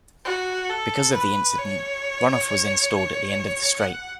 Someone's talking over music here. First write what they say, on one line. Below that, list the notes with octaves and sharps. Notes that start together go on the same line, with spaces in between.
Because of the incident, runoff was installed at the end of the straight.
F#4
A4
B4
C#5
F#5